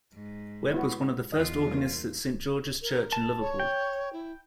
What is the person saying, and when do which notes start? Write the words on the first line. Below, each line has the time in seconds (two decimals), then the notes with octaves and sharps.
Webbe was one of the first organists at Saint George's Church in Liverpool.
0.14 G#2
0.72 B3 E4 F#4
1.32 E2 F4 D#5
1.67 G3 A#3
2.82 A#4
3.12 A5
3.40 C#5
3.60 G5
4.13 E4